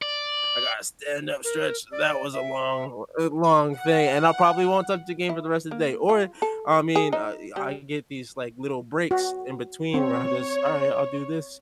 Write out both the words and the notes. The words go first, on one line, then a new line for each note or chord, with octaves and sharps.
I gotta stand up stretch. That was a long a long thing." and I probably won't touch the game for the rest of the day, or, I mean, uh, I can get these, like, little breaks in between where I just, "Alright, I'll do this
D5
A#4
D5
E5
F#5
E4
A#3
F4
A4
G#4
D#4
G3
F#4
C4 C#5